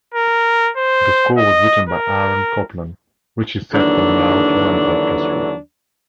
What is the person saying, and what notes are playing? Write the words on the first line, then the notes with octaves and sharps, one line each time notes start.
The score was written by Aaron Copland, which he set for narrator and orchestra.
A#4
C5
D#5
A#4
D#2 D3 E3 F#3 D4